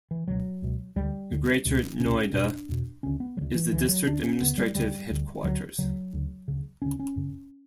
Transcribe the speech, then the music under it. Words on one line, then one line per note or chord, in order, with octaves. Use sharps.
Greater Noida is the district administrative headquarters.
E3
C#2 B2 F#3
C#2 B2
D2 D3 G3
D2 D3
C#2 B2
C#2 B2 C#4
E2 B2 D4
E2 B2
D2 C#3 C#4
B3
D2 C#3 F#3
E3
D2 D3 E3
F#3
D2 D3 D4
C#4
D2 C#3 B3
G3
D2 C#3 G3
D2 D3
D2 D3 F#3
D2 C#3 F#3
D2 C#3
D2 C#3
D2 C#3 C#4
C#4
F#2 C#3